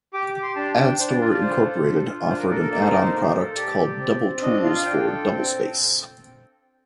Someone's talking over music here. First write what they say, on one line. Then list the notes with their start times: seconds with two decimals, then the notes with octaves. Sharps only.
AddStor, Incorporated offered an add-on product called Double Tools for DoubleSpace.
0.13 G4 D6
0.27 D6
0.34 G4
0.43 C6
0.56 D4 A5
0.77 D4 G5
0.99 D4 C5
1.10 D5
1.20 F4 D5
1.31 D5
1.41 D4 C5
1.64 A4
1.85 D4
2.07 F4
2.27 D4 C5
2.39 A#4
2.49 A4 A#4
2.60 A#4
2.70 A#3 D5
2.81 C5
2.90 D#4 A#4
2.99 C5
3.13 A#3
3.35 A4
3.56 G4 D5
3.78 G4
3.99 C4
4.20 C4
4.41 D4 D#5
4.63 F4 F5
4.75 F5
4.85 D4 G5
5.07 A4
5.28 C4